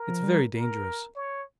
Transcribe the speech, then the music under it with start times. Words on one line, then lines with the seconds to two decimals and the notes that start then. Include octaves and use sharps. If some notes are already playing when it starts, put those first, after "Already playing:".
It's very dangerous.
Already playing: A#4
0.08 F3
0.23 G3
0.54 A#4
1.16 C#5